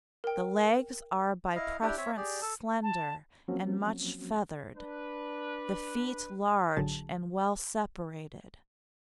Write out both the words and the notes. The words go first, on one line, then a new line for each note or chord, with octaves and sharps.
The legs are by preference slender and much feathered, the feet large and well separated.
A#4 G5
E4 D#5 F5
D4 E4 G4
C4 C#5 E5
G4 G#4 D5
A4 A5
A5
F3 F#3 A#3 C4 C#4 F#4
D4 B4
A1 D3 F#3 G#4 A5